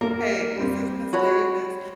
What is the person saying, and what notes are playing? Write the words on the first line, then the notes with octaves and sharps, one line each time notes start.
"Hey, is this Ms. Davis?"
A#3 A#4
G3 C4
F#4 C#5 B5